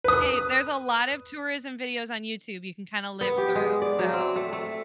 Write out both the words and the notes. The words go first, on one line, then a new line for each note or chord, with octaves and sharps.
Hey, there's a lot of tourism videos on YouTube you can kinda live through, so
B4 D#6
B3
G4
G#3
D5
F#3
C4
A3
A3